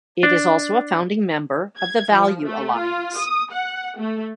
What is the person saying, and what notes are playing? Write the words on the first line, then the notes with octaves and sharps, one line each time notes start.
It is also a founding member of the Value Alliance.
D4
G#6
F3
A3
F4
D#6
F#5
A3